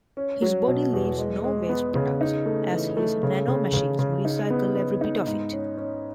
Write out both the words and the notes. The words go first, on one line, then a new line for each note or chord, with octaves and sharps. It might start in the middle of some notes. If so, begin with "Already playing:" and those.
His body leaves no waste products as his nanomachines recycle every bit of it.
C#4
F#3
B2
E2
G#3
G#3
B3
C#3
D#4
A3
E3
A3
C#3
C#3
C#3
C#3
D#4
B3
B3
D#4
G#2
C#4
C#4